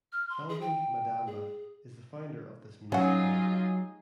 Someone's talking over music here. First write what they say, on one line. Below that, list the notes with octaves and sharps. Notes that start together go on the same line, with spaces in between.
Elvin Madamba is the founder of this municipality.
F6
C6
G#4
G5
G#4
F#3 C#4 D#4 F4 G#4 F#5